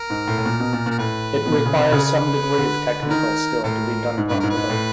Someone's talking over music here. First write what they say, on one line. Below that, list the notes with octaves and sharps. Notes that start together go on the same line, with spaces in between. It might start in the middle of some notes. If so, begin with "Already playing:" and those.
It requires some degree of technical skill to be done properly.
Already playing: A#4
G#2
A2
A2
A#2
B2
A#2
A#2 A#4
A2 B4
B2
A#2
C#3
C3
C#3
B4
D3
D3
D#3 A#4
A2 A#4
G#2
G2 B4
G#2 A#4
B4
G#2
A2